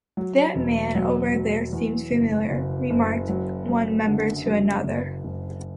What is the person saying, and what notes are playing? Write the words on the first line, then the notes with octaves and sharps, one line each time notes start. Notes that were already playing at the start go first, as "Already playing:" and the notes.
"That man over there seems familiar", remarked one member to another.
F#3
E1
F#3
F#3
E2
F#1
F#1
F#1
F#3
F#2
D3
F#2
F#1
F#1